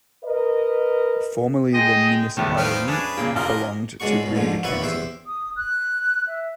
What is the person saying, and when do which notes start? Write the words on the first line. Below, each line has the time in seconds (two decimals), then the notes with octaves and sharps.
Formerly the municipality belonged to Ribe County.
0.24 A#4 B4 D#5
1.73 G#3 D#5 G5
2.37 E2 A2 D#3 G3 B3
2.57 D#3 F3 C4 B4 F6
2.88 C#4 D4 G#4 B4
3.17 A#2 C#3 A#3 G5
3.35 A1 F4 A#4 D#5 F6
4.00 C#2 G#3 D4 F#4 C#6
4.23 C#2 B2
4.35 D2 G#2 D3 F3
4.64 D#2 A#2 B4 E5 F#5 C#6
4.82 E2 G4 C5 E5
5.26 D#6
5.56 F#6
6.27 E5